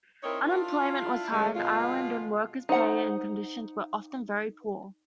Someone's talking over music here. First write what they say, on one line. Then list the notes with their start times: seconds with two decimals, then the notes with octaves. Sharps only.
Unemployment was high in Ireland and worker's pay and conditions were often very poor.
0.23 C4 D#4 E4 A#4 C#5
0.49 D4 E4 F4
1.31 D#2 C#3 F#3 G#3
1.55 B2 D3 G#3 F4
2.69 D#4 C5 F#5 A#5